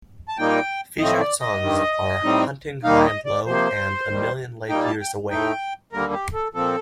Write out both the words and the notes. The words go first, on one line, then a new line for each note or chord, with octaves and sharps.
Featured songs are "Hunting High And Low" and "A Million Light Years Away".
A5
A#2 G3 A#3 D#4 G5
A2 F3 A3 C4 D#5
D5
D#5
G2 D#3 G3
A2 G3 C4 D#4
D#2 D#3 G3 A#3 D#4 F5
D#5
D5
C3 F3 A#3 C5
D#2 D#3 G3
A#2 G3 A#3 D#4 G5
A5
G5
A2 A3 D#4 G5
D#2 D3 G3 A#3 A#4
G4
A4
A#2 F3 C4 A4